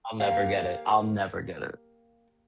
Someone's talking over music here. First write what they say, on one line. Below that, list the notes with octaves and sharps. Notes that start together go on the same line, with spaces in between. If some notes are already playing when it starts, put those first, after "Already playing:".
I'll never get it. I'll never get it.
A#3 G4 F5